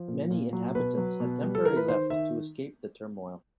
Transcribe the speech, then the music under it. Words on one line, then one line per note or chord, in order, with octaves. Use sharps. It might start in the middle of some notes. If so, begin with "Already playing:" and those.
Many inhabitants had temporarily left to escape the turmoil.
Already playing: F3
A#2
A#2
F#3
B2 B4
F#3
B2
G3
A4
E3 A#4
B4
D#3 C5
D#3 E5